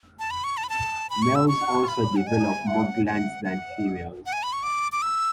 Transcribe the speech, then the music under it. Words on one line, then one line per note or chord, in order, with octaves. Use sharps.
Males also develop more glands than females.
A5
B5
C#6
A5
B5
A5
B5
C#6
E6
C#6
B5
F#5
G#5
F#5
F#5
F#5
F#5
G#5
B5
C#6
D6
D6
E6